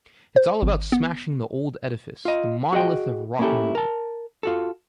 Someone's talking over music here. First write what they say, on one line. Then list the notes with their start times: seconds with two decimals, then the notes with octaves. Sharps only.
It's all about smashing the old edifice, the monolith of rock and roll.
0.36 C5
0.62 G#1
0.92 B3
2.25 F4 D#5
2.73 F#4 G#4 D#5 G5
3.39 A#3 C#4 D4 E4 G4 A4
3.75 A#4 A5
4.43 F4 F#4 A4